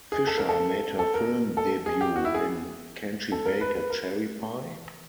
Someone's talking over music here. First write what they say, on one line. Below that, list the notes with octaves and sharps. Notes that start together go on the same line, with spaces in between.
Fisher made her film debut in Can She Bake a Cherry Pie?
G#4
A4
A#4
A4
A4
A#4
A4
G#4
G4
F#4
E4
G#4
A4
A#4
B4
B4
A#4